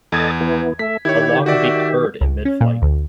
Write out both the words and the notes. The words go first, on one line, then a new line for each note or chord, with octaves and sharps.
A longbeaked bird in midflight.
E2 A4 D#5 G#6 A6
E3 B3
A3 E5 B6
D#3 E4 G4 C#5 G#6
F#4 D5 E5
C#2
C#4
A#2
D2